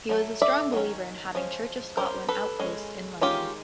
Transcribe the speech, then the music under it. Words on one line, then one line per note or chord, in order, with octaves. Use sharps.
He was a strong believer in having Church of Scotland outposts in London.
F#3 A3
D5 E5
D#3 F#3 C#4
F3 G#3 C#4
G3 A#3 C#4 A#4 C5
A4 B4
G#3 C#4
D#3 G#3 C#4 F4 G4